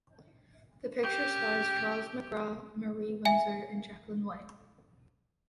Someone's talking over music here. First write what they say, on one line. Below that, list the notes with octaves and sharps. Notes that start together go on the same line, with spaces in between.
The picture stars Charles McGraw, Marie Windsor and Jacqueline White.
C#4 G4
E5 G#5